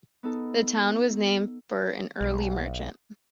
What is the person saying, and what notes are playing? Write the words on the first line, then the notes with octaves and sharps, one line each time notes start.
The town was named for an early merchant.
B3 D#4 A4
B1